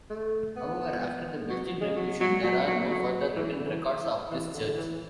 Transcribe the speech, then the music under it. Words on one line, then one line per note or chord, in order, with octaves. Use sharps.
However after the Belgian revolution, there are no further written records of this church.
A3
B3
F#3
F#3
G#3
F#3
F#3
F#3
F#3
F#3
E3
D3
E3
E3
D3
E3